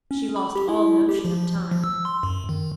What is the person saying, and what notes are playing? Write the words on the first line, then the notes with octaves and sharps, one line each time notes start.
She lost all notion of time.
C#4
B5
G4
E4
G4
F3
F3
E6
C6
F#2
D#3